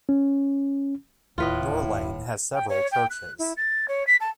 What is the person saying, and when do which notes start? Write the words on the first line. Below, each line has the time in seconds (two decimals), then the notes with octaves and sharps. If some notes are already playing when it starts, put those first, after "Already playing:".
Norlane has several churches.
0.09 C#4
1.38 D1 D#2 A2 E4 F4 B4 D#5
2.53 G5
2.69 C#5
2.91 G5
3.10 F#6
3.38 E4
3.56 A6
3.88 C#5
4.07 B6
4.20 A5